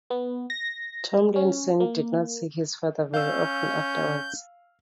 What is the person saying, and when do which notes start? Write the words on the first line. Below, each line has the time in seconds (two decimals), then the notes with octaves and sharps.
Tomlinson did not see his father very often afterwards.
0.10 B3
0.50 A#6
1.36 C#4
1.80 A#3
3.14 C#4 F5 E6 G6